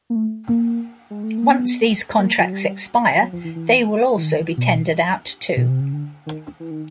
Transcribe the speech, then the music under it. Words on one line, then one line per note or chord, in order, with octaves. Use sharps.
Once these contracts expire, they will also be tendered out too.
A#3
A3
A#3
G#3
A3
A#3
B3
A#3
F3
F#3
G3
F#3
F3
E3
E3
E3
D#3
B2
B2
C3
C#3
D3
D#3
E3
D#3